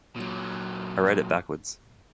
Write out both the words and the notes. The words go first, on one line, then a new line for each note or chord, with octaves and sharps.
I read it backwards.
A#2 F#3